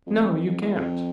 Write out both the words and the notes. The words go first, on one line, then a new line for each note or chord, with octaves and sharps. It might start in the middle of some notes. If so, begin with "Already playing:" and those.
"No, you can't."
F2
F2
E2
F2